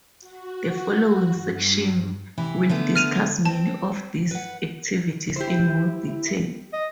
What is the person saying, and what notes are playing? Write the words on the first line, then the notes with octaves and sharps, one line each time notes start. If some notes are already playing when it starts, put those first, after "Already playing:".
The following section will discuss many of these activities in more detail.
F#4
G2
C3 E3 E4
D3 A3 B3
F6 D#7 F7
C4 A5
B4 F#5
E4 G4 C5
D#5